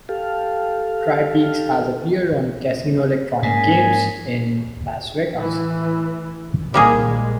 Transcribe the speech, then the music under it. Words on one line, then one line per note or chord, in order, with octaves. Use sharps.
TriPeaks has appeared on casino electronic games in Las Vegas.
G4 A4 F5
G#2 A#3 C#4 G#5
A2 E3
C2 A#2 D#3 G3 A#3 G#4
A#1 G#3